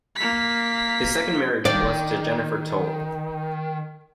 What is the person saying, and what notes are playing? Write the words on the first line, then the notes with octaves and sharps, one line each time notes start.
His second marriage was to Jennifer Tole.
A#3 B6
D#3 D5